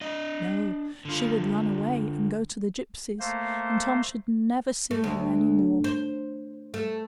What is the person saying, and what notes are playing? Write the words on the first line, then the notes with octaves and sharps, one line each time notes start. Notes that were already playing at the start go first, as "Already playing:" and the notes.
No! she would run away and go to the gypsies, and Tom should never see her any more.
D4 D#5
D3 F4
A3 A#3 C5
A3
D2
C5
A3